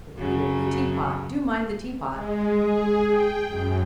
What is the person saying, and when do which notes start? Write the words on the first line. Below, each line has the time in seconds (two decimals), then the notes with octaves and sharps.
"Oh, Peter--the teapot--do mind the teapot!"
0.16 F#2 C#3 F#3
2.10 G#3
2.52 G#4
3.09 G5
3.47 F#2